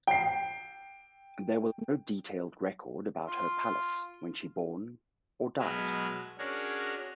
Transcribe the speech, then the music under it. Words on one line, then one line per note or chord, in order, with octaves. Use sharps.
There was no detailed record about her palace when she born or died.
G5 C7
F4
B2 F#3 G#3 B4 E5 F6
C#4 D4 F#4 G#4 A#4 C#5